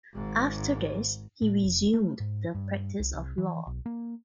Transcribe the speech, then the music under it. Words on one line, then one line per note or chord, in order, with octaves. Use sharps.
After this, he resumed the practice of law.
G#1 G#2
A2
F1
A3
G#2
G2
C2
C2
E3
B1
A#3